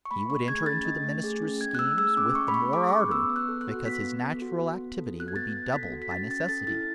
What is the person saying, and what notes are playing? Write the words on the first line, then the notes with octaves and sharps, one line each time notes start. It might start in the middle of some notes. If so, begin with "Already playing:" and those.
He would enter into the minister's schemes with the more ardor, because his natural activity would be doubled by necessity.
C#6
A3 B5
A3 C#6
G#4 G#6
C#4 A6
A3
A3
G#4
C#4
A3 G#6
F#6
A3 E6
G#4 E6
C#4 D6
A3 C#6
B5
A3 C#6
G#4 D6
C#6
C#4 D6
B3 E6
B3
F#6
A4
F#6
F#4
B3 B6
B3
A4
F#4
B3
B3
A4
F#4 F#6
G#6
B3 A6
B3
A4 B6
F#4
B6
C#4 A6
C#4 A6
A4 A6
E4 A6